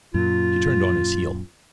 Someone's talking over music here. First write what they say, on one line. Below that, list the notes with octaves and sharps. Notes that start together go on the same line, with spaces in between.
He turned on his heel.
F#2 A#2 F4